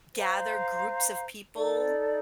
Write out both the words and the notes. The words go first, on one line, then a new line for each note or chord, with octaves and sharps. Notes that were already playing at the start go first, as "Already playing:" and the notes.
gather groups of people,
C5 F5 A#5
D#4 A4 D5